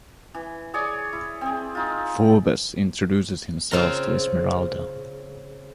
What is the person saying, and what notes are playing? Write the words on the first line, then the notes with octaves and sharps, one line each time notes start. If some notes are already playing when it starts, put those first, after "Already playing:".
Phoebus introduces himself to Esmeralda.
E3
G#4 C#5 D5 G#5
E4
C4 G#4
D#4 F4
C#3 C4 F4 A#5